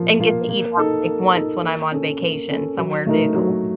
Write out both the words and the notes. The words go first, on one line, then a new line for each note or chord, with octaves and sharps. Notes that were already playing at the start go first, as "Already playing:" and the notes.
And get to eat out, like, once when I'm on vacation somewhere new.
Already playing: F3 A#3
A#3 F4
A#3
D#4 A4
A#3
D#4 A4
A#3
C#4 A4
A#3
C#4 A4
F#3
A3 D#4 A#4
F#3